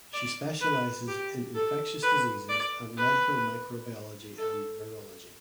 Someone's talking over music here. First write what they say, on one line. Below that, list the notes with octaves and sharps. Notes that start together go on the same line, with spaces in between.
She specialises in infectious diseases and medical microbiology and virology.
D5
B4
G4
A4
B4
D5
B4
A4